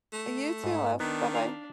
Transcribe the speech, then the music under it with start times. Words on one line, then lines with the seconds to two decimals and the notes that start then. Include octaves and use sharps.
You too, love. Bye-bye.
0.13 A3
0.64 G#2
1.00 D#3 B3 D4 D#4 B6
1.35 F5